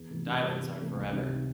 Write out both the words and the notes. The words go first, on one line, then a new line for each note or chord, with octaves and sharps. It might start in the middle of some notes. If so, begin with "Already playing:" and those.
Diamonds are forever.
Already playing: E2
C3 E3 A3
C3
E3 G3 C4
E2
C3 E3 A3
C#2
C3 D#3 G3